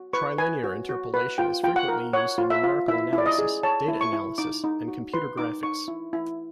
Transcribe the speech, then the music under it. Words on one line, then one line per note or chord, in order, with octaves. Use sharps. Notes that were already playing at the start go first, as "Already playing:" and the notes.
Trilinear interpolation is frequently used in numerical analysis, data analysis, and computer graphics.
Already playing: F#4
B4 C#6
B4 G#5
F#4
F#4
B4
F4 G5
F4 G5
F#5
A#4
C#5 F#5
F4
E5
F4
E4 E5
E4
D5
D#5
G#4
C#5 A5
E4
C#6
E4
D#4 D6
D#4
F#4
B4 C6
D#4 D6
D#4 C#6
E4
E4